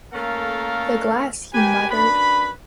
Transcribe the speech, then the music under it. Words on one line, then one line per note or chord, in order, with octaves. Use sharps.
"The glass," he muttered.
A3 A#3 C#4 A4 A#4 F5
A#3 G4 B4 G5 G#5
F#2 D4 B4 B5